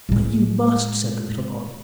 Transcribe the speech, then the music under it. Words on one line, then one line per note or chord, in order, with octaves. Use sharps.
"But you must!" said the little boy.
A2 G#3